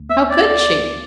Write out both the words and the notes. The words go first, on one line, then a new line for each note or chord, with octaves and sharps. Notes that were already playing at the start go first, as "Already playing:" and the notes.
How could she?
Already playing: D2
B3 E5
D5